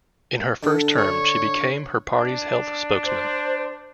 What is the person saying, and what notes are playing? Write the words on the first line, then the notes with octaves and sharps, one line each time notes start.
In her first term she became her party's health spokesman.
D3
C#5
D4
C5